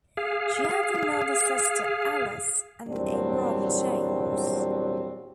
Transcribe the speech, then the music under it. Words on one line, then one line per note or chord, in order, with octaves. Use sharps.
She has another sister Alice and a brother, James.
G#4 F5
E2 A#2 F#3 G3 C4 D4